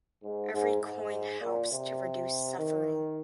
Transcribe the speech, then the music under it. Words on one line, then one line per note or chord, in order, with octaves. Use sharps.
Every coin helps to reduce suffering.
G#2
G#2
G#2
A#2
C3
D#3